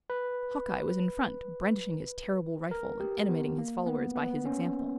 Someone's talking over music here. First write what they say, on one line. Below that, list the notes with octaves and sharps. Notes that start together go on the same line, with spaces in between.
Hawkeye was in front, brandishing his terrible rifle and animating his followers by his example.
B4
A#4
G4
B3
A#3
B3
B3
C#4